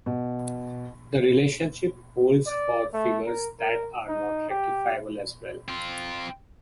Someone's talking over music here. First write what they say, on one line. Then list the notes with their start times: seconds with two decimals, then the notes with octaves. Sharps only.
The relationship holds for figures that are not rectifiable as well.
0.06 B2
2.47 D5
2.94 A3
3.26 A#4
3.60 A#4
4.08 D#4
4.50 G4
5.68 C4 F4